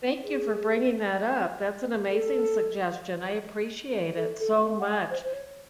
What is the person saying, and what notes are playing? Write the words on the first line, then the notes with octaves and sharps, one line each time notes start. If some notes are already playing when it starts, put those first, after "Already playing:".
Thank you for bringing that up. That's an amazing suggestion. I appreciate it so much
G#4
A4
A4
A4
A4
F#5
G#5
C5
C5
C#5